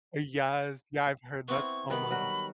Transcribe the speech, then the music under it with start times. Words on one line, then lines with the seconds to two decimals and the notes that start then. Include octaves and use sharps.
Eh, yes, yeah, I've heard that so much.
1.48 B3 C4 E4 C#6
1.90 D#3 G3 B3 B5
2.11 F#3 G3 F#4